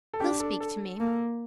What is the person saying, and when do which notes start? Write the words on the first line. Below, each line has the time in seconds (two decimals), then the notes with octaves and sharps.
He'll speak to me.
0.14 A4
0.20 D4 G4
0.40 A4
0.60 A4
1.00 A#3